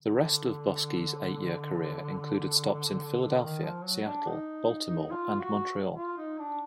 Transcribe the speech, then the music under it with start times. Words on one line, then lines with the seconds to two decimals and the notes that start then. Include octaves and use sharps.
The rest of Boskie's eight-year career included stops in Philadelphia, Seattle, Baltimore, and Montreal.
0.03 D3
3.42 D#3
3.63 F3
3.84 F#3
4.05 D4
4.26 D#4
5.12 F4
5.40 F#4
5.96 F4
6.18 D#4
6.39 D4